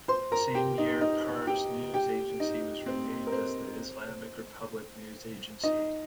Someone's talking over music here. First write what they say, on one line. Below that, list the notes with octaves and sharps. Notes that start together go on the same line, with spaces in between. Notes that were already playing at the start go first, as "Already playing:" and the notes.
The same year Pars News Agency was renamed as the Islamic Republic News Agency.
C5 C6
A#4 A#5
G4 G5
D#4 D#5
D#4 D#5
G4 G5
G4 G5
D#4 D#5
C4 C5
A#4
C4 C5
D#4 D#5